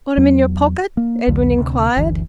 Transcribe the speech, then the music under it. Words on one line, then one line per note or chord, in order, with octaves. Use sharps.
"Got 'em in your pocket?" Edwin inquired.
E2 F#3
A#3
B1 E2 D3 F#3
D2 C3
F#1 D2 E3